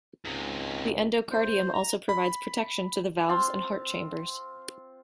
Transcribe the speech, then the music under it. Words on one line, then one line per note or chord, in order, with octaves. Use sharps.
The endocardium also provides protection to the valves and heart chambers.
C#2 G#2 C3
C5
A#5
B5
C4 F4 F5 C6